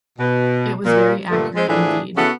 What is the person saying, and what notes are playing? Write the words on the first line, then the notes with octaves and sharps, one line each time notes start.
It was very accurate indeed.
B2
A#2
G2 A#2 D3 A3
G#3 C4
A2 E3 F3 A3 D4 G#4
C#3 B3 C#4 E4 F#4 A4